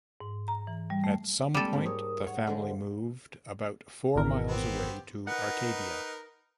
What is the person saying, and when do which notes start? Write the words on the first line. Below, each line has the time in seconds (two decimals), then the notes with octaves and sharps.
At some point, the family moved about four miles away to Arcadia.
0.21 G#2
0.48 A#5
0.67 E3
0.90 G3
1.04 A3
1.54 G3 G#3 A#3 C4 A4
1.72 G#2 A#4
1.86 A#4 C#5 D#6
2.27 C#5 F#5
2.47 D3 F3 G#3
4.15 G#1 E2 A#4
4.47 B3 C4 G4
5.27 D#4 A#4 B4 F#5